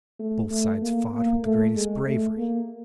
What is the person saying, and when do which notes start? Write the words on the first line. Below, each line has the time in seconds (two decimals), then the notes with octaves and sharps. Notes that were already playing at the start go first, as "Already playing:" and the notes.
Both sides fought with the greatest bravery.
0.19 A3
0.51 A3
0.82 A#3
1.13 A#3
1.44 A3
1.75 G#3
2.07 A3
2.38 A#3